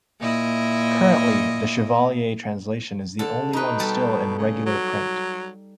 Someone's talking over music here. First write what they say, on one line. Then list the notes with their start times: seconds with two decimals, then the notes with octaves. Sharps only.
Currently the Chevalier translation is the only one still in regular print.
0.20 A#2 E4 D#5
3.19 D3 A4
3.53 B2 D#4 B4
3.80 G3 A4
4.38 C#3
4.66 F#3